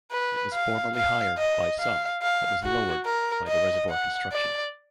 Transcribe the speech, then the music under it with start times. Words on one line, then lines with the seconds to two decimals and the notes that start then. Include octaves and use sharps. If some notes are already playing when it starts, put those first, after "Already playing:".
It was formerly higher by some but was lowered by the reservoir construction.
0.11 B4
0.53 F5
0.95 F5
1.37 D#5
1.80 F5
2.22 F5
2.63 F#4
3.06 A#4
3.48 D#5
3.90 F#5
4.32 D5